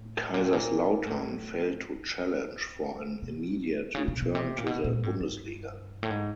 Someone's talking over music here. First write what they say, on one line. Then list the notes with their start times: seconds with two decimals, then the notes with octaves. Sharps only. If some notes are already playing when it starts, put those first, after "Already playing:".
Kaiserslautern failed to challenge for an immediate return to the Bundesliga.
Already playing: A2
0.34 A#2
0.44 A2
0.53 A#2
1.07 A2
3.22 B2
3.95 C#3
4.08 C3
4.22 B2
4.35 C3
4.58 A#2
4.66 B2
4.84 A#2
5.03 G#2
5.20 G2
6.03 A2
6.10 G#2